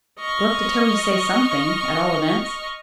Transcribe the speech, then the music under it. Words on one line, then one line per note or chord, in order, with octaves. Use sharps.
Gluck determined to say something at all events.
D#5 C#6 F6